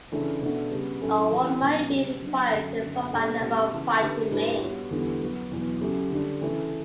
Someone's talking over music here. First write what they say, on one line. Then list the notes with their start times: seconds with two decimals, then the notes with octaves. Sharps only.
Or one might be required to provide a number of fighting men.
0.12 C#3 E3 A3 D4
0.41 B2 A3 D4 F#4
0.71 C#3 G3 B3
1.01 A2 F#3 C#4 E4 A4
1.31 E3 G3 C#4
1.61 B2 F#3 C#4
1.91 C#3 G3 C#4
2.21 F#3 B3 D4
2.52 F#2 D3 A3 C#4 F#4
2.82 F#2 D3 F#3
3.11 B2 G3 B3 D4 A4
3.41 B2 G3 C#4
3.72 C#3 E3 B3
4.01 D3 A3 D4 G4 B4
4.31 A2 G3 D4 G4 B4
4.61 G3 B3 F#4 C#5
4.91 E2 D3 G3 B3
5.21 F#3 B3 F#4
5.51 E2 B2 F#3
5.81 C#3 F#3 A3 C#4 G4
6.11 D3 G3 D4
6.41 C#3 E3 A3